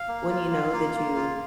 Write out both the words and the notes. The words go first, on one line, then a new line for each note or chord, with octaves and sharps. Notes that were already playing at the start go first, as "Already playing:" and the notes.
when you know that you
Already playing: F5
A#3
F4
F4
A#3
A#3
F4